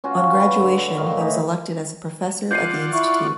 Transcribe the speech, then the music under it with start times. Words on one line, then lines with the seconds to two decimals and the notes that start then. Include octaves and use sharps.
On graduation he was elected as a professor of the institute.
0.04 C#4 F4 F#4
0.33 B4 C6
0.58 D3 F#4
0.97 A2 D#3 F5
1.17 E3 D#4
2.51 F4 D5 F#5 G6 C7 D#7
2.93 E4 C#6